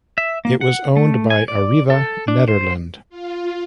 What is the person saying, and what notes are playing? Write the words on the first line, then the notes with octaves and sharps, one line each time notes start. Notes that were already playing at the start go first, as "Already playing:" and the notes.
It was owned by Arriva Nederland.
E5
A#3
F#5
A3
G#5
D5
A4
D4
C5
F4